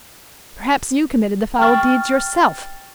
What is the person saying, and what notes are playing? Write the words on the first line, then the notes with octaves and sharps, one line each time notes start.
"Perhaps you committed the foul deeds yourself."
G5 C#6 F6 A6